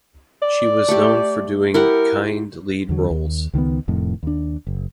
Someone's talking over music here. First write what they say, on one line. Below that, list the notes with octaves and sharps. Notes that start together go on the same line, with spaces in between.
She was known for doing kind lead roles.
D5
A3 G4
E4 G4 A#4 F#5
E2 D3 F#3
D#2
C#2 D#3 G3 B3
F1 F2 A2 D#3
D#2 D4
F#1